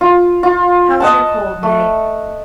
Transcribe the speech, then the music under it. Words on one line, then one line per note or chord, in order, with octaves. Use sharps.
How is your cold, Meg?
F4
F4
D#5 F#5 A5
A3